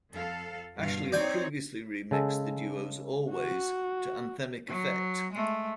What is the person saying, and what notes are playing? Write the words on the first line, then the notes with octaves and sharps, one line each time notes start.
Ashley had previously remixed the duo's "Always" to anthemic effect.
F2 A4 F5
G2 B2 F5
C4 D#4 C#5 D5 G5 G#5
C#3 G#3 A4
F#4
F#3
G#3 A3